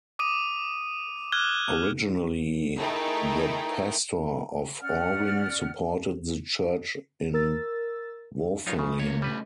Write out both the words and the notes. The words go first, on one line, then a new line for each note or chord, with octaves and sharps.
Originally the pastor of Orvin supported the church in Vauffelin.
D6 D#6 D#7
D6 F6 F#6 G#6 G7
A3 D#4 E4 G#4 A#4 G5
C#4 D5 F#5 F6
A#4 E6 A6
F#2 D#4 F4 C#5
C#3
A3 A#3 C#5
C#3 G3 A3 B4